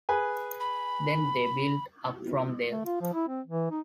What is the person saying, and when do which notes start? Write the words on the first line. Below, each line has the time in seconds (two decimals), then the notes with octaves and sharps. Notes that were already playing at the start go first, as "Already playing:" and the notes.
Then they build up from there.
0.09 G#4 B4 G#5
0.60 B5
2.71 A3
2.85 F4
3.01 F3
3.13 E4
3.28 C4
3.47 E3
3.71 D#4